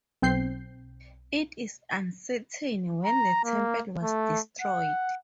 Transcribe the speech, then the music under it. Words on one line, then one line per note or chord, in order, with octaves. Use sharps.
It is uncertain when the temple was destroyed.
B1 C4 G6 C7
A#5
A#3
A3
F#5